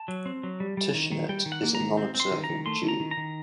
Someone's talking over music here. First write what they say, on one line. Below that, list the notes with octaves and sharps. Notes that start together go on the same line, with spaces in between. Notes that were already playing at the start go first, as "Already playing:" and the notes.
Tushnet is a nonobservant Jew.
Already playing: A5
F#3
C4
F#3
G3
G3
D#3
D#3
G3 G5
D#3
F#5
A#3
A#5
D#3
C4
C4
C6
D#3
A#5
D#3
A3 C6
D#3
A#5
D#3
A#5
D#3